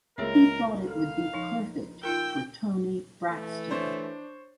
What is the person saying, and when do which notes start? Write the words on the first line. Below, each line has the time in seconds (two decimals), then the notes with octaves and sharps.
He thought it would be perfect for Toni Braxton.
0.18 C#2 A#3 G#4 A#4 C#5 E5
0.87 A4 F5
1.33 F3 D#4
2.03 D#4 F4 A#4 G5 E6
3.30 E3 A3
3.71 D4 C5 C#5